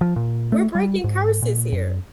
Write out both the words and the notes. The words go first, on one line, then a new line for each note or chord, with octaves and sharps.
We're breaking curses here.
F3
A#2
A3
G3
G#2
A#2
F#2